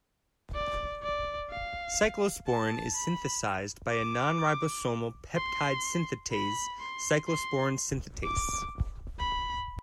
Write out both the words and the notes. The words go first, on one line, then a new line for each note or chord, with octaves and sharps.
Cyclosporin is synthesized by a nonribosomal peptide synthetase, cyclosporin synthetase.
D5
D5
F5
A5
B5
D6
C6
B5
C6
C6
D6
B5